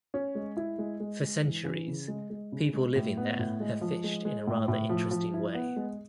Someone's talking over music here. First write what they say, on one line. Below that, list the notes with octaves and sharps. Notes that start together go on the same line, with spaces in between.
For centuries, people living there have fished in a rather interesting way.
C#4
G#3
E4
G#3
G#3
G#3
E3
E3
C#3
G#3
G#3
C#3
G#3
A2
B3
A2
G#3
F3
G#3
G#3
A2
A2
F3
F3
E4
B3
G#3